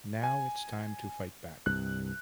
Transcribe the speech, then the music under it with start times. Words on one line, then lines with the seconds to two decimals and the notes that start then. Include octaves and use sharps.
Now, it’s time to fight back.
0.24 G#5
1.66 C2 G2 F#6